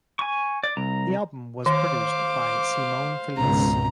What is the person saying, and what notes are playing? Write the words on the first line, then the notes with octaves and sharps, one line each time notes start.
The album was produced by Simone Felice.
G#5 C#6
D5
C2 A#5
D#3 C5 F5 D6
G#1 C#2 B2 A#5